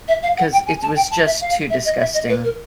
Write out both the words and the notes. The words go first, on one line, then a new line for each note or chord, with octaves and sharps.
'cause it was just too disgusting.
E5
F5
F#5
G5
G#5
A5
G5
A5
E5
F5
E5
D#5
E5
D#5
B4
A#4